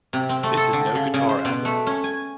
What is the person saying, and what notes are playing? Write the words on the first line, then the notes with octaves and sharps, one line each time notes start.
This is no guitar album.
C3
C4
A3
A4
D3
C#3
C#3
C5
B2
A3
C#4
G#5